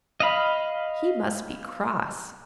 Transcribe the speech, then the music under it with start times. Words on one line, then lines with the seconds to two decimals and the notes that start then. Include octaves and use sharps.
"He must be cross."
0.20 D#5 F5 B5